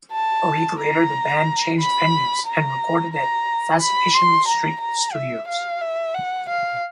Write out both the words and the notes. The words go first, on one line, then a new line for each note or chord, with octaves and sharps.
A week later the band changed venues and recorded at Fascination Street Studios.
A5
A#5
B5
A#5
A#5
B5
C6
A#5
A#5
E5
F5
E5
F#5
F5